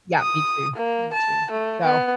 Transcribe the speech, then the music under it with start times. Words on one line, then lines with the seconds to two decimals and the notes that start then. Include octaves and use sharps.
yeah, me too, me too. So,
0.21 D#6
0.76 A#3
1.13 A5
1.51 A3
1.84 B3